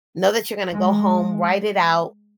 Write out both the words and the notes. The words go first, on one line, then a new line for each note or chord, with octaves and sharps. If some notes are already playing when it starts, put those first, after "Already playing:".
know that you're gonna go home, write it out,
G#3